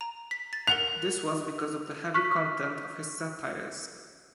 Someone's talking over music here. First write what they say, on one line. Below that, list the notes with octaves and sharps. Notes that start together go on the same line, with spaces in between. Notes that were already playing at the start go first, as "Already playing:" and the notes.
This was because of the heavy content of his satires.
A#5
B6
A6
A#4 F#5 F#6 F7
C#6 F6 F#6 B6